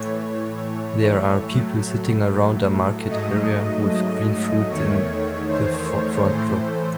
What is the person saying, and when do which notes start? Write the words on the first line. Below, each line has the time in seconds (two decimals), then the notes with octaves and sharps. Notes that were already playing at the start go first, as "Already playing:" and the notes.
There are people sitting around a market area with green fruit in the front drop.
Already playing: A2 E3 A3 C#5
1.48 A2 F#3 A3
3.09 G#2 F#3 A3 D#5
4.69 E2 D#3 A3 C#5
5.49 C5
6.30 A2 E3 A3 C5